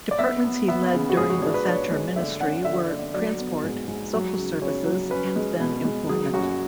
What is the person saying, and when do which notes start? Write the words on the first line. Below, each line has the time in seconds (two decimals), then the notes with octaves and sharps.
Departments he led during the Thatcher ministry were transport, social services and then employment.
0.11 D5
0.19 B3 E5
0.44 B3
0.68 B3 E5
0.93 C#3
1.09 F#4
1.17 G#2 G#4
1.30 F#4
1.42 D4 G#4
1.54 B4
1.67 D4 C#5
1.91 G#3
2.16 D3 E5
2.41 C#4 F#5
2.65 D3 E5
2.90 D3
3.14 F#3 D5
3.39 B3
3.63 G#2
3.88 G#2
4.13 F#3
4.38 C#3
4.62 C#3 C#5
4.86 F#3
5.11 C#4 B4
5.36 G#3
5.60 B2
5.85 G#3
6.09 F#3 G#4
6.34 F#2 F#4